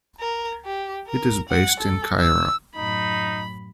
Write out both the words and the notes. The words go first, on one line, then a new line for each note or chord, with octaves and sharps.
It is based in Cairo.
A#4
G4
A#4
F#5
A4
E6
F#2 A2 D#4 B5